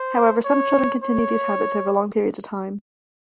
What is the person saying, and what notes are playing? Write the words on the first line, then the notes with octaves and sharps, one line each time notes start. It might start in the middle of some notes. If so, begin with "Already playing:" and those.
However, some children continue these habits over long periods of time.
Already playing: C5
C#5
C#5